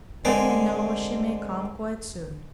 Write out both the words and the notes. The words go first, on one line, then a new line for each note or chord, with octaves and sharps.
But I know she may come quite soon.
D3 G#3 C4 G#4 A#4